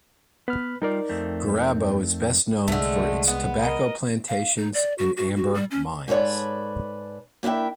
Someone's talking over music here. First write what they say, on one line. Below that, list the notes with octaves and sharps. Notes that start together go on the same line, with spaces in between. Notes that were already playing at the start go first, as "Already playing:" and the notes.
Gurabo is best known for its Tobacco Plantations and Amber Mines.
B3 B4 F6
G3 D#4 F4 A#4 D5
F2 A3 C4
C2 D3 G#3 A3
B3
A#4 D#5
F5
D#4
D5
F#4
F#4
F#4
G3
C#4
G#2 A4 B4 C#5 D5
A#3 D4 E4 E5 G5